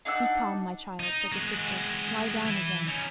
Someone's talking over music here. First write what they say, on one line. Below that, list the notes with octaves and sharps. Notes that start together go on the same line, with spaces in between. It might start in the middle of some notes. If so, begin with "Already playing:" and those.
"Be calm, my child," said the sister; "lie down again."
D4 D#4 F#5 E6
D#4
G#3 F#4
E3 E4
C#4 D#4